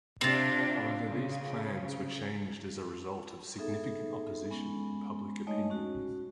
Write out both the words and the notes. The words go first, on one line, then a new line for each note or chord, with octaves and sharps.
However, these plans were changed as a result of significant opposition and public opinion.
C3 C4 D4 F4
C#3
B3 D#4 G#4 A4 E5
G#3 B3 C#4
G#3 A3 D#4 C#5 D#5
C#4 F#4